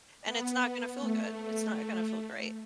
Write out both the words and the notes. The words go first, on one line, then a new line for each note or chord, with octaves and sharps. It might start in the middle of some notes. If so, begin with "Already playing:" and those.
And it's not gonna feel good, it's not gonna feel great.
B3
A3